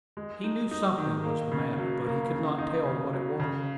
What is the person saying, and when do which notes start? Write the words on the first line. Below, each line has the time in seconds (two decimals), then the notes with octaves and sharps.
He knew something was the matter, but he could not tell what it was.
0.17 G#3
0.44 D#4
0.71 D#4
0.98 D#3
1.24 A#3
1.51 C#3
1.78 F#3
2.06 A#3
2.31 C#3
2.58 D#4
2.85 C#3
3.13 F#3
3.40 C#3